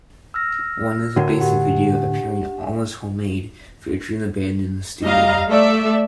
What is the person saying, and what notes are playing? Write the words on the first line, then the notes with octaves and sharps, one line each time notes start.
One is a basic video, appearing almost homemade, featuring the band in the studio.
E6 F6 A#6
A2 D3 F#4 A#4
D4 G4 F#5
G3 D#5 F5 A#5
A3 A4 D5 E5